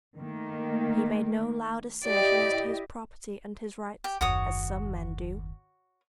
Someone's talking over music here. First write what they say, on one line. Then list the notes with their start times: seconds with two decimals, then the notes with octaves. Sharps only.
He made no loud assertion as to his property and his rights, as some men do.
0.16 D#3 A3 A#3
2.05 E4 G4 D5 D#5
4.04 G4
4.21 F#1 D#2 F#4 C#5 D#6